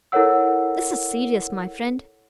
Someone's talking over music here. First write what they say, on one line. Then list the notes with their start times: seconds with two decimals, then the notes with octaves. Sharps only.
This is serious, my friend!
0.12 E4 A4 A#4 C#5 F#5 E6